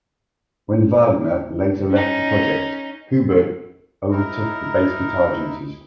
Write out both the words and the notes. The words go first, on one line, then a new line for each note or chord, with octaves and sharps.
When Wagner later left the project, Hubert overtook the bass guitar duties.
C#4 D#4
D#4 E4 A#4